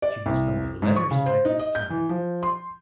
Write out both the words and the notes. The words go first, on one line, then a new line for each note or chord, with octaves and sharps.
She must know her letters by this time.
D5
C2
G#2
C#6
C#3
C5
D#4
D#5
G6
E3
F3
C6